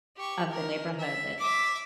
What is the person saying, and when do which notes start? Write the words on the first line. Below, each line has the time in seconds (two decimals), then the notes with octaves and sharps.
of the neighborhood.
0.17 G4 C#6
0.50 A#4
0.99 E5
1.39 E5 D6